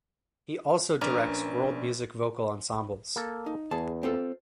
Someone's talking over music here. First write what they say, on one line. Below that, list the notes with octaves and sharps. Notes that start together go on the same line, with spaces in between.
He also directs world music vocal ensembles.
A#1 C#4 D4 A#4 B4 D5 A#5
A#3 A4
D#4
E2 G#4 A5
C4 F4 A4